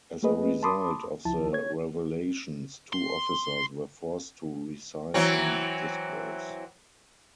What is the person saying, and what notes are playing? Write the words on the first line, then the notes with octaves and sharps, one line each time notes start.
As a result of the revelations, two officers were forced to resign in disgrace.
A3 A#3 G#4 B4 D#5
A5 B5 C6 D6 D#6
C#2 F3 E4 A5
C#5 G#6
C6
E3 F#3 C4